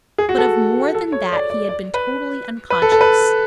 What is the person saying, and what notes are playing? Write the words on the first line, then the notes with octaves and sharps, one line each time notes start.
But of more than that he had been totally unconscious.
G#4
F#4
A4
A4
C#5
D5
D5
D5
B4
B4
A4
A4
B4